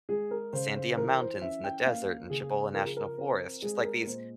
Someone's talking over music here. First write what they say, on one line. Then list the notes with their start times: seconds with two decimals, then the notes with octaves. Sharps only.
the Sandia Mountains and the desert and Cibola National Forest, just, like, these
0.09 G#3 G#4
0.31 A#4
0.53 C#3 C5
0.75 C5
0.97 E3 A#4
1.19 C5
1.41 C#4 E5
1.64 G5
1.86 A#3 F5
2.30 C#3 G#4
2.74 F3 A#4
2.85 G#4
2.97 A#4
3.18 C4 A#4
3.62 G#3 G#4
3.85 A#4
4.06 A#2 C5